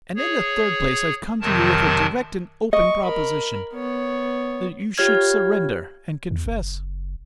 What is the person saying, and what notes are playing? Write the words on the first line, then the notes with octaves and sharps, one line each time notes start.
And in the third place I've come to you with a direct and open proposition--that you should surrender and confess.
G#4 C#5
F2 C3 D#3 F#3 A#4 A5
D#5 C#6
A#4 B5
B3 C#5
F4 G4 C#5 F6 G#6
E2
F#1